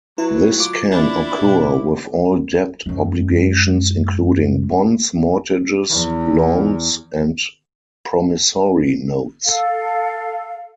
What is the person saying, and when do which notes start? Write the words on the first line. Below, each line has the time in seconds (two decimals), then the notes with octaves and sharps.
This can occur with all debt obligations including bonds, mortgages, loans, and promissory notes.
0.18 F#3 E4 B4
0.60 F4 D6
0.92 D4 E4
1.43 B2
2.86 F#2 G#3
5.89 E2
9.46 A4 F5